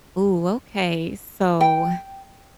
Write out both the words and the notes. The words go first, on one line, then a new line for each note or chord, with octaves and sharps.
Ooh, okay. So
G5